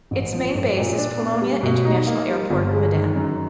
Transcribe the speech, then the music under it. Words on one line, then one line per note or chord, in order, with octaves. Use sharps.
Its main base is Polonia International Airport, Medan.
A1
F3
A2
A#2
D4
B3
G3
B2
D#4
A#3
G3
G1
G#3
D#3
F#2